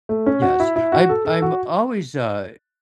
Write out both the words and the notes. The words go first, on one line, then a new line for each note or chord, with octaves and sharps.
Yes. I'm I'm always, uh,
A3
C#4
F#4
E4
E4
F#4
A4
A4
F#4